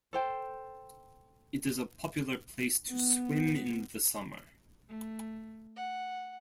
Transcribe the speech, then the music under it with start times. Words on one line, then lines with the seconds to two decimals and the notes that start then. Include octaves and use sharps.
It is a popular place to swim in the summer.
0.13 A4 C5 G5
2.89 B3
4.89 A3
5.77 F#5